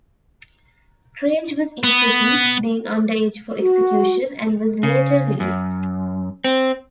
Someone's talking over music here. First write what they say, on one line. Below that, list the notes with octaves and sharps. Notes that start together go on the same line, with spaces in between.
Craig was imprisoned, being under-age for execution, and was later released.
B3
F#4
C#3
F#2
C4